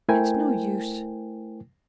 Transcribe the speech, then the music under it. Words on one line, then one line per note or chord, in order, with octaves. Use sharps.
It's no use.
A3 E4 A#4 C5 G5 G#5